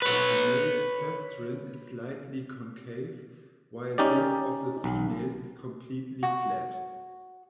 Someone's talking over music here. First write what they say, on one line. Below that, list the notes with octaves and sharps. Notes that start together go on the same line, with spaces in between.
The male's plastron is slightly concave, while that of the female is completely flat.
B4 C#5
C#4 D#4 G4 D5
B1
F#4